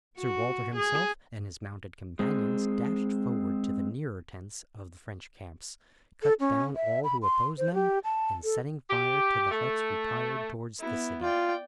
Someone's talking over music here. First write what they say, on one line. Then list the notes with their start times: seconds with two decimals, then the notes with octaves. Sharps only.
Sir Walter himself and his mounted companions dashed forward to the nearer tents of the French camps, cut down all who opposed them, and setting fire to the huts retired towards the city.
0.18 F#4
0.76 G#4
2.19 G#3 C4
6.23 A4
6.40 C#4
6.76 E5
7.04 B5
7.22 C6
7.58 C5
7.74 G4
8.04 A5
8.44 A4
8.90 G4
9.51 A3
10.79 B3 E4
11.22 F4 D5 G5